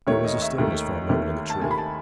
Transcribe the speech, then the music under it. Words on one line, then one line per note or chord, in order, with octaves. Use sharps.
There was stillness for a moment in the tree.
D#2 D#3 A3 C#5
D#5
E5
D#2 D#3 A3
D#2 D#3 A3
A5
D#2 D#3 A3 G#5
B5
A5